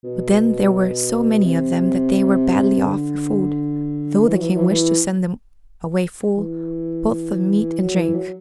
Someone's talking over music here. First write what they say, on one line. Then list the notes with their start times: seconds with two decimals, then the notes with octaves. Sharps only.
But then there were so many of them that they were badly off for food, though the King wished to send them away full, both of meat and drink.
0.04 B2
1.44 C3
2.85 D3
4.26 E3
4.34 F#3
4.41 E3
4.49 F#3
4.56 E3
4.63 F#3
4.70 E3
6.37 E3
7.79 F#3
7.96 E3
8.15 F#3